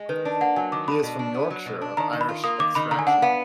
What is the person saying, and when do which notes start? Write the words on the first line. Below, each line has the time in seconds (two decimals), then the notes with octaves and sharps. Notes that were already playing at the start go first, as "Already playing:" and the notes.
He is from Yorkshire, of Irish extraction.
Already playing: G#3
0.09 D#3 B4
0.25 D4 D5
0.41 A#3 F#5
0.56 F#3 G#5
0.72 D#3 D6
0.88 D4 B5
1.03 B2
1.19 D4
1.34 B3
1.50 F#3
1.66 B2
1.81 D4
1.97 D#3 A#5
2.13 D#3
2.21 B5
2.29 F4
2.44 A#3 D#6
2.59 D#3 D6
2.75 D#3 B5
2.91 D3 A#5
2.99 G#5
3.07 D4 F#5
3.22 B3 F5